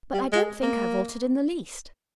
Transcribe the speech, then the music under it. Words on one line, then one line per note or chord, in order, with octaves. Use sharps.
But I don't think I've altered in the least.'
G3
G#3
A#3